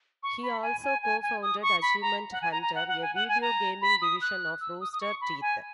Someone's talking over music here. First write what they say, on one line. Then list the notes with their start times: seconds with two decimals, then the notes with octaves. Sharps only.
He also co-founded Achievement Hunter, a video gaming division of Rooster Teeth.
0.23 C#6
0.43 B5
0.62 G#5
0.83 G#5
1.03 G#5
1.22 G#5
1.42 D#6
1.62 C#6
1.82 B5
2.02 A#5
2.32 F#5
2.42 G#5
2.52 A#5
2.62 A#5
2.75 F#5
2.88 F#5
3.02 G#5
3.15 F#5
3.29 G#5
3.42 A#5
3.82 B5
4.02 D#6
4.22 F#6
4.61 E6
4.80 D#6
4.93 D#6
5.01 C#6
5.21 B5
5.41 G#5